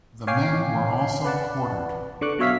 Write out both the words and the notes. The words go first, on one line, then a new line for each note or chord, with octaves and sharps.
The men were also quartered.
C#5 F5 G5 G#5 D6 C7
B4 D5 F#5 A5
D3 C#6 D6 F#6
B2 F#3 C#5 E5 F5 B6